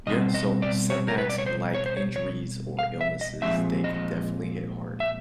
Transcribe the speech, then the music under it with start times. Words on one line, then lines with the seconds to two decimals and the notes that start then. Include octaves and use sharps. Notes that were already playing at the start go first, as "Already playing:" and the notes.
Yeah, so setbacks like injuries or illnesses, they can definitely hit hard,
0.07 B2 G3 C4 D#5
0.34 D#5
0.62 D5
0.90 C#5
1.08 A#4
1.18 B4
1.29 D5
1.38 C#5
1.46 C5
1.74 C#5
1.86 C5
1.97 C#5
2.16 C#5
2.79 F5
3.01 E5
3.21 D#5
3.42 A#2 F3 G#3 C4 E5
3.84 D#5
5.00 E5